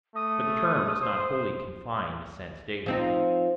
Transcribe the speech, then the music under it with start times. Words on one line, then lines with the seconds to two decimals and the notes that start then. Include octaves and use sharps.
But the term is not wholly confined to sense-data.
0.15 A3 D#6
1.02 C5
2.86 F3 C4 D#4